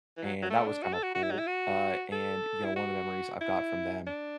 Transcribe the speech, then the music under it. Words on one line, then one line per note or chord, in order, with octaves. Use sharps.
and that was kind of cool. Uh, and, you know, one of the memories I've got from them
E3
F#3
F#3
A3
D4
F#4
A4
F#4
F#4
E4
F#3
E4
F#4
A4
E4
F#4
E4
D4